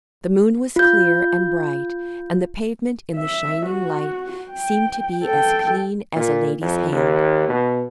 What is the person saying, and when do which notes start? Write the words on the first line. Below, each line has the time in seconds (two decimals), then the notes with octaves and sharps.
The moon was clear and bright, and the pavement in the shining light seemed to be as clean as a lady's hand.
0.76 F4 G6
3.17 E5
3.66 F#4
4.51 G5
5.23 A4 G5
6.16 A#2
6.61 F2
6.92 D#2
7.49 B2